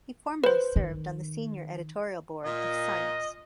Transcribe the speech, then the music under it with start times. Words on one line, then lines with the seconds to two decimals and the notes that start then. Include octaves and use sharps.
He formerly served on the Senior Editorial Board of "Science".
0.44 B4 C5
0.76 D#3
2.45 A#2 D#5